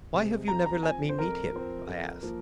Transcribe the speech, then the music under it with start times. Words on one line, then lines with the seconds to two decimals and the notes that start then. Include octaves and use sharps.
"Why have you never let me meet him?" I asked.
0.14 C3 G#3
0.48 F2 A#5
0.66 A#5
0.83 F3 C4 G#5
1.09 C5
1.18 F2 A#4
1.53 F3 C4
1.87 F2
2.23 F3 A#3